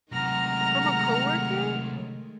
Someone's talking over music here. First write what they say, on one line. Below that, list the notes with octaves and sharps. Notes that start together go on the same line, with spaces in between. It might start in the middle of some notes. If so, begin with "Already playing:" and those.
From a coworker?
C3 D#3 F#3 G#3 A3 F#5 A#5 F6